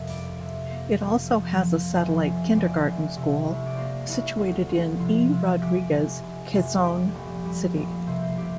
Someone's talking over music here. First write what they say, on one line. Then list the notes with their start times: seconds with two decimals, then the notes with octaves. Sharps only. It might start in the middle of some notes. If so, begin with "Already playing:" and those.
It also has a satellite kindergarten school situated in E. Rodriguez, Quezon City.
Already playing: F2 C3 A#4
0.09 G3 D5
0.40 C3
0.70 A#3 C5
1.01 F3
1.32 F3
1.62 F3
1.93 F1 C5
2.23 F1
2.51 F1 C5 D5
2.86 F1
3.16 C3
3.46 C2
3.66 D5
3.77 A#3 C5
4.08 C2
4.39 D2 C5
4.69 F3
4.99 C3 F4
5.31 C3
5.61 F1 G4
5.91 F1
6.22 F1
6.53 F1
6.83 G3 G4
7.14 A#1
7.45 G3
7.76 A#1
8.07 C3 C5
8.22 C5
8.37 C3 G4